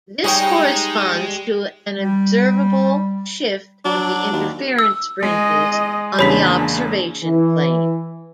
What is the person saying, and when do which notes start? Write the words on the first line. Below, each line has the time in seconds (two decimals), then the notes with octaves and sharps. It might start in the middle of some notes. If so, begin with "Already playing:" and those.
This corresponds to an observable shift of the interference fringes on the observation plane.
0.24 G3 G#3 D#4 G#4 C#5 G5
1.96 G3
3.85 F#3 D4
4.32 D#2
4.79 E6
5.23 G#3 D#5
6.19 E2 C#3 A#3 D4 C#5 B5 B6
7.22 E3